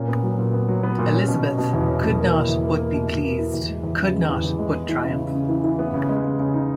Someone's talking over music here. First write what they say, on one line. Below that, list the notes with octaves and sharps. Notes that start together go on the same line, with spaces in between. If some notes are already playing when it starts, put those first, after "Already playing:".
Elizabeth could not but be pleased, could not but triumph.
Already playing: A#2 C#4
B3
F#3
A#2
B3
F#3
B3
A#2
C#4
B2
C#4
B2
E2
C#4
B2
A#3
E4
E2
A#3
A#3
B2
B2
A#3
E4
E2
G#3
E2
C#3
G#3
E2
E2
G#3
B3
E3
C#3
C#3
C#3
E3
E3
B3
C#3
G#3
C#3
C#3
D#4